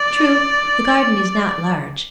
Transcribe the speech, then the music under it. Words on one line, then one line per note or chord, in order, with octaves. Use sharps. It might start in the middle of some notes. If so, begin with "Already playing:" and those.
"True, the garden is not large."
Already playing: D5